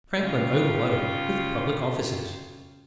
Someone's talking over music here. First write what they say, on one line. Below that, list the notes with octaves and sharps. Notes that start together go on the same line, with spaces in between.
Franklin overloaded with public Offices.
C#3 G3 F4